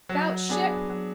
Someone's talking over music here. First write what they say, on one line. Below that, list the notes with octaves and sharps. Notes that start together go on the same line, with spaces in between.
Bout ship.
F#3
B3 D4 G#4
F#3